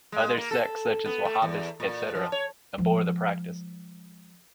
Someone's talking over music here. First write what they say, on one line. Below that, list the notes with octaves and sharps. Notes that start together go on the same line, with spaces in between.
Other sects, such as Wahhabists etc., abhor the practice.
G#3
A#3
A4
B3
A3
E2
A#2
F3
C#5
F3 G#3